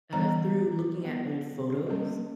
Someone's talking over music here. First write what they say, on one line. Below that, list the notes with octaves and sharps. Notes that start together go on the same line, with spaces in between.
uh through looking at old photos,
E3 G3 B3 A#5
G3 B3
G3 A#3 C#4